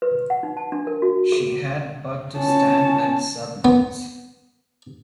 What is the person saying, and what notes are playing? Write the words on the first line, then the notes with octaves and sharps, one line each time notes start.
She had but to stand and submit.
B4
F#5
D#4
A5
D4
A#4
F#4
G#4
C#4 A5
B3